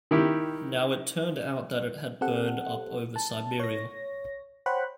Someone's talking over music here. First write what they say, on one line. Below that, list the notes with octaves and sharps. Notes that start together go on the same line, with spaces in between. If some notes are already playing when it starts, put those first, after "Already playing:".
Now it turned out that it had burned up over Siberia.
D#3 E4 G4
C4 G4 A4 F#5
A5
C#5 A#6
C5 C#5 F#5 G5 B5 F#6